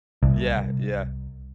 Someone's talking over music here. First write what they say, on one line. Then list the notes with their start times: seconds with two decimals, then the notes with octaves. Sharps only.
Yeah, yeah.
0.23 C2